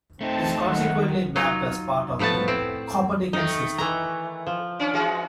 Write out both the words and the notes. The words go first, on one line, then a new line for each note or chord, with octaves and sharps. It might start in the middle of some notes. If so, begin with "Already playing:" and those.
It is consequently mapped as part of the Copernican System.
A3 C4 D#4 A5
D#3 F#5
F#3 D#4 F4
A2 F3 A3 B3 A5
C4 E4
D#3 A3 D#4
E3 A#5
F3
C#4 D4
E3 G#3 F#4